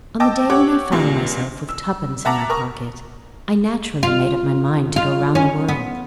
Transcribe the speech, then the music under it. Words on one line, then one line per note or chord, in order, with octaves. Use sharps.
On the day when I found myself with twopence in my pocket, I naturally made up my mind to go round the world.
D#5 G5 A5 D6 E6
G4 C#5 F#5 D6
C#2 A#2 G3
E6
E5 F#5 A5 A#5 D6
A#4 A#5 C#6 D#6
F4
F4
C#4
B3